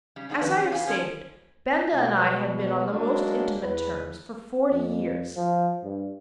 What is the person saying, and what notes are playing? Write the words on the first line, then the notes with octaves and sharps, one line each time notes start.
As I have stated, Benda and I had been on the most intimate terms for forty years.
C#3 G3
G#2 A3 B3 D4 G#4
G#2 D#3 F3 G4 B4 G#5
C3 E3 F#3 C4 C#4
C3 E3 B3 G#4 F5 G#5
B3 C#4 F4 G#4 A4
B2 G#3 B3
F#3 G#3 A#3 D4 F#4
E2 B4
F2
F3
G2